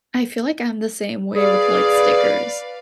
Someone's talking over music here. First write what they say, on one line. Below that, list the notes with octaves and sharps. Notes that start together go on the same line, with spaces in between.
I feel like I'm the same way with, like, stickers.
G#4 B4 D5 F5